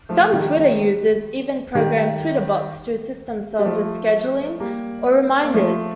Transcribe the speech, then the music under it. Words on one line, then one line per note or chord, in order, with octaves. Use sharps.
Some Twitter users even program Twitterbots to assist themselves with scheduling or reminders.
F3 A3
D#3 G3
D#3 G3
G3
F3 A3
G3 A#3
A#3
F3 A3